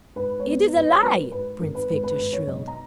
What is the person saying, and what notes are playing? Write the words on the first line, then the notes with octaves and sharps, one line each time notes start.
"It is a lie!" Prince Victor shrilled.
G#2 B4
C#5
B3 B4
G#2 B4
C#5
F#3 B4
A#4
G#2 B4
G#1 A#4
B4
G#2 B4
B4
G#1 B4
C#5
B1 D#5
A#5